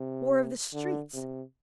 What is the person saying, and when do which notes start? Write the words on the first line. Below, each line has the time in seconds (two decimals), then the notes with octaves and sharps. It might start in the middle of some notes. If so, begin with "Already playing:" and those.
War of the streets?
Already playing: C3
0.73 D3
1.14 C3